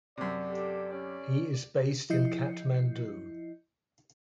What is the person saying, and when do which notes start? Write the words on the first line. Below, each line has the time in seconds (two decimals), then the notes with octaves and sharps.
He is based in Kathmandu.
0.17 F#2 C3 D5
0.47 G4 A4
0.92 C#4 D5
2.10 F3 E4 D#5 G6 C7 C#7